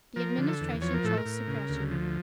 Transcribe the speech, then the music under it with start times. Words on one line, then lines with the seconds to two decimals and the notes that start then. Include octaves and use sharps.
The Administration chose suppression.
0.16 F3 A#4
0.38 D3
0.49 A4
0.61 E2
0.82 F3 C#5
0.94 A#4
1.04 A2 A4
1.17 A#4
1.25 A2
1.47 C#3
1.69 D2
1.91 F3